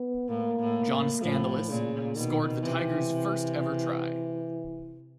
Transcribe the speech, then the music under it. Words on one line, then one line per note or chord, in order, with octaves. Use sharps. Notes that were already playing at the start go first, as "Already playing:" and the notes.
John Skandalis scored the Tigers' first ever try.
Already playing: B3
A2 A#3
A2
A2
A2 F3
A#2 C#3
B2 D#3
C3 E3
C3